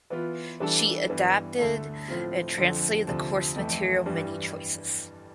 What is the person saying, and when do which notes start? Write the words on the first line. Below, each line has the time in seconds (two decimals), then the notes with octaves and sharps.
She adapted and translated the course material "Many Choices".
0.10 E3 B3 F4
0.60 E3 G3 D4 A4
1.09 G2 E3 B3
1.58 D2 D3 A3
2.08 A2 F3 C4 F4
2.58 F2 D3 F3
3.07 D2 C3 F3
3.56 F2 E3 A3
4.06 G2 E3 G3